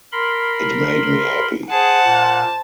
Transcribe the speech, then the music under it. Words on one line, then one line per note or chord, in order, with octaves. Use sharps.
It made me happy.
A#4 B5 C6
G#4 C5 F#5 A5
A#2